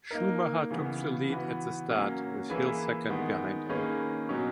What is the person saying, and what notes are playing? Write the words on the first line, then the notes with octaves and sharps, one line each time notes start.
Schumacher took the lead at the start, with Hill second behind him.
A#3 D#4 A#4
C#3 E3 B3
E3 B3 F#4 B4
F#3 A#3 C#4
E3 A#3 E4 G#4 B4
D#3 G#3 B3
D#3 A#3 C#4 G#4 B4
B2 F#3 C#4